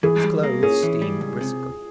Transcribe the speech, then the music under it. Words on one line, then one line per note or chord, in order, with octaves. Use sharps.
His clothes steamed briskly.
E3 G#4
G3
A#3
C#4 G#4
E3
G3
C#2
C3